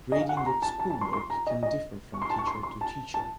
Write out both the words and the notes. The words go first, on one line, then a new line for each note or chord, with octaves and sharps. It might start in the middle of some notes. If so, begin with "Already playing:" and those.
Grading of schoolwork can differ from teacher to teacher.
D#5
F5
F#5
C6
A#5
A5
A5
A5
C6
C6
A#5
D#5
D#5
C#6
C6
A5
C#6
C6
C6
A5
A5